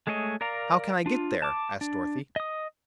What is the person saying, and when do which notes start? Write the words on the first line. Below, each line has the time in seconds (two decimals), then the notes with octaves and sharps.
"How can I get there?" asked Dorothy.
0.07 G#3 A3 G#4 C#5 D#5
0.41 A#4 D5 F5 A#5
1.06 D4 F4
1.42 A5 D6
1.81 D4
2.36 D#5 D#6